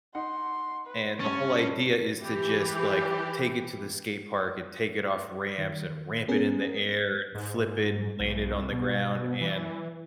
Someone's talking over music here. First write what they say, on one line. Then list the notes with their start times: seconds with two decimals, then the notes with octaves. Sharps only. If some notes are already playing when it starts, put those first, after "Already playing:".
And the whole idea is to just, like, take it to the skate park, and take it off ramps, and ramp it in the air, and flip it, and land it on the ground, and
0.15 D#4 F#5 C6
0.87 B4
1.20 G2 C#4 C#5 C#6 A6
2.20 E3 G4
5.58 D#3
6.28 B3 C#4 G#4 A#4
7.35 G#2
8.20 B1
8.53 C2
8.72 B2
9.41 E3